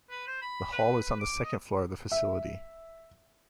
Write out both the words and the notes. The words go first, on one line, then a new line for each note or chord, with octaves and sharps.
The hall is on the second floor of the facility.
B4
C5
B5
B4
B4
D6
D#5
E5